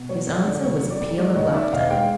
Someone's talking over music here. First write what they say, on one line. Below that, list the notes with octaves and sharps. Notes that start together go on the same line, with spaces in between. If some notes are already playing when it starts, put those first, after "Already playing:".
His answer was a peal of laughter.
Already playing: B2
F#3 C#5
F2 C#5
D3 D5
F1 C#5
F#3
D5
F2
G#3 D5
D#2 C#5 D#5
D#3 D5 E5
E1 D#5 F5
G#3 F5 G5